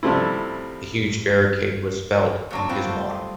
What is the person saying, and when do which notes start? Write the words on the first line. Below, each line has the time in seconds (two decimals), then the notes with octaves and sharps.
The huge barricade was felt on his bottom.
0.03 C3 F3 G3 A3 C4 E4
2.50 A#2 F#3 D4
2.69 C4 F4 F#5 B5 C#6
2.86 G3 A3
3.10 D#6